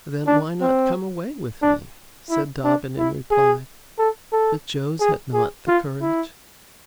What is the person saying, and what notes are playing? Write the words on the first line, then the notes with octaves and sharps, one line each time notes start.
"Then, why not come away with me?" said Dobbin in reply; but Jos had not the courage.
D4
C4
D4
E4
D4
E4
G#4
A4
A4
G#4
G#4
F4
E4